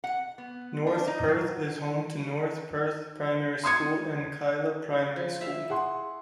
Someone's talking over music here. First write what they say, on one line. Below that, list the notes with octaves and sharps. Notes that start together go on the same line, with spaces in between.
North Perth is home to North Perth Primary School and Kyilla Primary School.
F#5
B3
D4
D#4
F#3
C6 D#6 G#6 C#7
F3
E4 E5 F5
G#4 F#5 C6